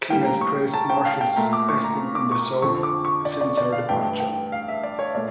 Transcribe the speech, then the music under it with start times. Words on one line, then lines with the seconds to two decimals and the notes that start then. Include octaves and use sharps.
King has praised Marsh's acting in the soap since her departure.
0.10 A2 G3 A#3 G5
0.26 A#5
0.41 C#6
0.74 A5
0.90 G5
1.05 F5
1.21 G5
1.36 A#2 A3 A#5
1.53 D6
1.69 C#6
1.84 A#5
2.15 D6
2.32 C#6
2.62 F2 D3 F3 C#6
2.83 D6
3.05 C#6
3.25 D5
3.41 D5
3.57 D5
3.72 F5
3.89 G2 E3 A3 G5
4.20 G5
4.52 F5
4.68 E5
4.84 D5
4.99 C#5
5.15 A#2 A3 D5